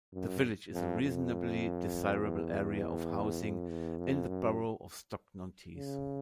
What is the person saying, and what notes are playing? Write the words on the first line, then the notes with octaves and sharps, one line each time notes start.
The village is a reasonably desirable area of housing in the borough of Stockton-on-Tees.
F#2
F2
F2
E2
F2
E2
F2
F#2
C#3